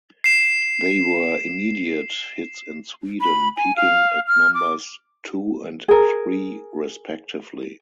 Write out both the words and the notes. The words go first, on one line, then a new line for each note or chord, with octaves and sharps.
They were immediate hits in Sweden, peaking at numbers two and three respectively.
C7 E7
B5
G#5
F5
F6
D6
G#4 A#4